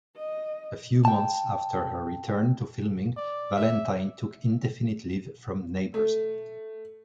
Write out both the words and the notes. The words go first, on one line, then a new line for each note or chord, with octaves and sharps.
A few months after her return to filming, Valentine took indefinite leave from "Neighbours".
D#5
G5 A5
D5
E5
A3